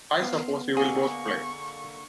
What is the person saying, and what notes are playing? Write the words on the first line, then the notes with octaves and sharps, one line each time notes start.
I suppose you will both play.
B3 F4
D3 A#3 G#4 C#6